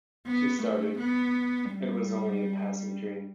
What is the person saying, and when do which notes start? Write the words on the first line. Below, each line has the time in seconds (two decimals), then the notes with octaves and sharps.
She started — it was only a passing dream.
0.27 B3
0.63 A3
0.99 B3
1.72 G3